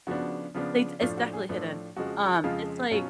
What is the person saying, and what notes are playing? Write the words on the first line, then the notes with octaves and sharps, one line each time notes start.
they It's definitely hidden. Um, it's like
C#3 F3 B3 D4 F#4
C#3 F3 B3 D4
A2 F3 A3 D4 F4
F#4
G#4
A2 F3 A3 D4 B4
F2 C#3 F3 G#3 F#4
F2 C#3 F3 G#3 F4
B2 F#3 C#4 F4